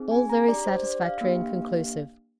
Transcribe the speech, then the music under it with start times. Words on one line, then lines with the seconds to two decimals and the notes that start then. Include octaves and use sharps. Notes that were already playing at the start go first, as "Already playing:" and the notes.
All very satisfactory and conclusive.
Already playing: C4 D#4 G#4
0.11 G#5
0.30 A#5
0.47 D4 G4 D5
0.66 C5
0.84 D5
1.02 F5
1.21 A#3 D4 G4